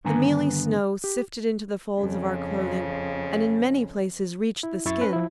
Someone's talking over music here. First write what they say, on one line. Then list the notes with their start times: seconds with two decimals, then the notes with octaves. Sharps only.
The mealy snow sifted into the folds of our clothing and in many places reached the skin.
0.05 G2 D3 D#3 B3 G#5 A#5
1.04 G4
1.99 F2 C#3
4.63 E4
4.85 F#2 E4 E5 C#6 A6
5.01 C#4 B4
5.13 F3 E4